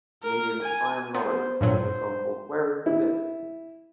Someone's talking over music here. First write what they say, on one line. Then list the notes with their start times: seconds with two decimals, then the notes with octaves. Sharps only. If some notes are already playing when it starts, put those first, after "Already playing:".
Comedians Fry and Laurie performed a song called "Where is the Lid?".
0.23 A#4
0.62 G#5
1.15 B3 C5
1.61 G2 A#2 F#3 C5
2.86 E4